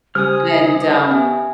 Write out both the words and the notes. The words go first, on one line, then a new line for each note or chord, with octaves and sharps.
and um
C#3 G3 G4 C5 G#5 D#6 F6
B3 G4 E5 G#5